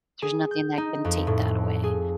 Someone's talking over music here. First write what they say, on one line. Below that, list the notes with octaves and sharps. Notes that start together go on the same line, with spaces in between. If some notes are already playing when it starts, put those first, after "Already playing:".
There's nothing that can take that away,
G#4
G6
D#4
F2
A2
G#4